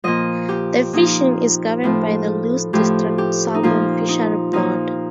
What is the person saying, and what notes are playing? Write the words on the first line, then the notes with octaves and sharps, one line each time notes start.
The fishing is governed by the Luce District Salmon Fishery Board.
A#2 F3 D#5
G4
A#2 F3 D#4
A2 F3
A2 F3 G4
G4
D#4
A#2 F3 F4
D#4
A#2 F3 D#4